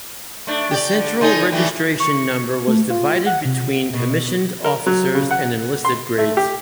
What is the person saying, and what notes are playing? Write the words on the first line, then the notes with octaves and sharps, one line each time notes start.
The Central Registration Number was divided between commissioned officers and enlisted grades.
A3 D4
G4 D5
D3
C#3 D#4 G#4
E3 G3 A3
C#6
A3
F4
F#5
C3
B2
A#4
F#3
C#3
F#5
C6
A3
G4